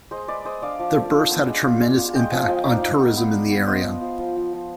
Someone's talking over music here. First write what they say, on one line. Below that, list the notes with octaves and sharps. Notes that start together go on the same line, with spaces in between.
Their births had a tremendous impact on tourism in the area.
G#3 C5 D#5
G#3 B4 D5
G#3 C5 D#5
D4 D5 F5
F3
F3
D4
B3
G#3
F4
G#3
F4
G#3 D#5 G5
F3 F5 G#5
F3 D#5 G5
D#4 D5 F5
D#4
B3
B3
D4
B3
B3 C5 D#5
F3
F3
F3
F3
F3